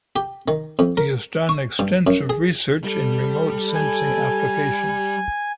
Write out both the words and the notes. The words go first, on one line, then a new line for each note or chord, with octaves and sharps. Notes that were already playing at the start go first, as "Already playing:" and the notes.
He has done extensive research in remote sensing applications.
G4
D#3
F2
A#4
C#6
G2
F#2
G#4
G3 A4
G#5